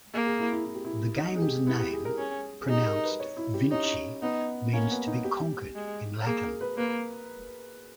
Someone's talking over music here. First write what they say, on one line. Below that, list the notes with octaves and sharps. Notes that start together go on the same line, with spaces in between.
The game's name, pronounced "Vinchi", means "to be conquered" in Latin.
A#3 G#4
G#4
E4
E4
E4
G4
E4
D#4
G#4
G4
B3 E4
G4
G#4
A#4
C#4 G#4
G#4
D#4 G4
A#4
B4
C#5
E4
G4
C#4 D#4
B3 D#4
A#3 C#4
B3
D#4
G4
G#3
A#3 G#4
A#4
B4
A#3 B4